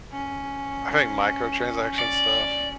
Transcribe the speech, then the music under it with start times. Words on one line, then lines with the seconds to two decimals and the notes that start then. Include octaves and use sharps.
I think microtransaction stuff
0.12 C#4
1.99 D5